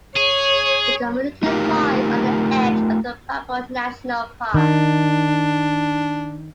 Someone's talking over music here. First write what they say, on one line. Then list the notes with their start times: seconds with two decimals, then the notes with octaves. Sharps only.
The community lies on the edge of the Paparoa National Park.
0.16 G#4 C#5
1.43 A3 D#4 F4 G4 A#4
4.54 D#3 D4